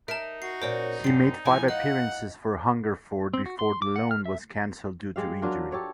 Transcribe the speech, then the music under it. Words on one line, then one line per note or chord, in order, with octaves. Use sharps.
He made five appearances for Hungerford before the loan was cancelled due to injury.
D#4 A#4 E5 A5
F#4 C7
A#2 C#4 A#4 C5 D5
F#2 C4 C7
F3 E4 G#5
F4 D#5 F#5
C4
F#4
C6
D6
F#5
F6
E5
G#3 G4 F5
F#3 D4 F4 A#4
G4 A4 C#5 D5